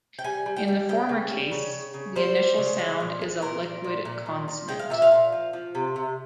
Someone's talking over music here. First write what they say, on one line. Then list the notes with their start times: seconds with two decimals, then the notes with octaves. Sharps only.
In the former case, the initial sound is a liquid consonant.
0.19 G5
0.24 G3 G#5
0.46 G3
0.56 G5
0.68 G3
0.89 C#3 G5
1.09 C#3
1.30 G3
1.51 C#3
1.73 C#3
1.94 C#3
2.16 G3 C5
2.36 G3
2.58 C#3
2.79 G#3
3.00 A#2
3.21 G#3
3.42 A#2 A#4
3.63 A#2
3.84 A#2
4.05 A#2
4.26 A#2
4.48 A#2
4.69 G#3 G5
4.79 F5
4.90 A#2 E5
5.02 F5
5.12 A#2
5.32 F3
5.53 F3
5.75 C3
5.96 C3